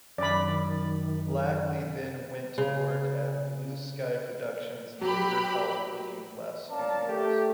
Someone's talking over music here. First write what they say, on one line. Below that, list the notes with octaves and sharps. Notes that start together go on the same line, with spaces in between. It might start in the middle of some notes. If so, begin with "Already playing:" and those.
Blackley then went to work at Blue Sky Productions, later called Looking Glass Studios.
F#2 D#3 D5 B5
C#3
F#3 G4 B5
C#4 A#4 D5 F5 A5
A3 G4